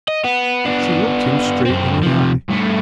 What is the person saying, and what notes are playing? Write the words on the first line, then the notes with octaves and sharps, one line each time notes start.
She looked him straight in the eye.
D#5
B3
B3 D4
F#2 C4
C3 F3
G2 A3